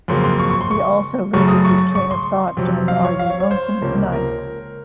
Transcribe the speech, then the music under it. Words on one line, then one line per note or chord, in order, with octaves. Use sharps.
He also loses his train of thought during Are You Lonesome Tonight?
F2 C#3 F#3 A#3 C6
C6
C#6
C#6
C6
C#6
F#2 C#3 F#3 A3 C#6
D#6
C#6
C#6
C6
F2 C3 F#3
F5
C#5
F5
C#5
C#5
C5
C#2 C3 F3 A#3 C#4
A#4